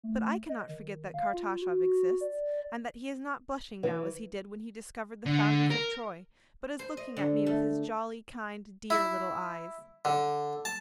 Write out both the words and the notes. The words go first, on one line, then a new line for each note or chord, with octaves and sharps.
But I cannot forget that Kartashov exists and that he is not blushing now as he did when he discovered the founders of Troy, but is looking at me with his jolly, kind, dear little eyes.
A3
D#5
D#3
F5
F4
F#4
D5
E3
D3
A#4
C5
D#5
D3
A3
E4
D3
A5